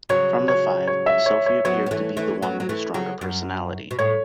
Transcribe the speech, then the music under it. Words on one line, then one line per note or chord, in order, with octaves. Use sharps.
From the five, Sophie appeared to be the one with the stronger personality.
C#3 F#3 C#5
C#5
C#5
E5
C#5
C#5
F#3 B3 C#5
B3
E3 A3
E3 A3
F#3 B3
F#3
E3 A3
C#3 F#3
F#2
B2
A2 C#5